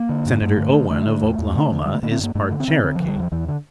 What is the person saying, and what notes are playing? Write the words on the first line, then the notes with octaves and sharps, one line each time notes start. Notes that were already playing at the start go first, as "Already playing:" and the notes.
Senator Owen of Oklahoma is part Cherokee.
Already playing: A#3
D3
G2
G2 A3
D3
D3
D3 A3
D3
E2
E2
D3
D3
D3 G3
A3
D3 A#3
C4
G2 A#3
G2 A3
D3
C4
D3
D3 C4
D3 F3
G3
E2 F3
E2 E3
D3